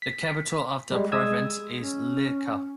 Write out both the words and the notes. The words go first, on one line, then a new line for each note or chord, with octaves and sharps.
The capital of the province is Llica.
B6
G3 G#3
G#3 D#6 E6 G#6
C#4